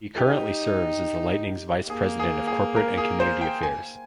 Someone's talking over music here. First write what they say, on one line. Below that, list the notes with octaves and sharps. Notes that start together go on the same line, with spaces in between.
He currently serves as the Lightning's Vice President of Corporate and Community Affairs.
D#4 G4
A#3 G#4
G#4
G#4
A#4
G#4
C5
G5
G#5